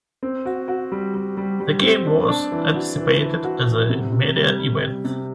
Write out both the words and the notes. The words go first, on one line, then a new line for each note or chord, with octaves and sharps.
The game was anticipated as a media event.
C4
F#4
F#4
G3
G3
G3
G3
C4
D4
D4
E3
F#4
E3
E3
F#4
E3
C3
C3
G3
G3
G3
C3